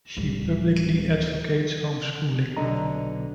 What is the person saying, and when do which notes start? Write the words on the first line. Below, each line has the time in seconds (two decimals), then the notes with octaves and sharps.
She publicly advocates homeschooling.
0.17 D1 G3
2.57 B1 D3 D#5 A#5